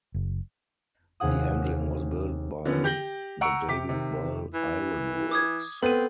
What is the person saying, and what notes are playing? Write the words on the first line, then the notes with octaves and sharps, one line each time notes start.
The engine was built by the David Bell Iron Works.
F#1
D#2 C3 G#4 F#5 D#6
D3 F3 B3 C#4
G4 G6 A#6 F#7 G7
F#5 A#5 C#6 E6 C#7 D7
C3 G4 D6 B6
C3 D#3
E3
D6 D#6 G#6
B3 C4 A4 D#7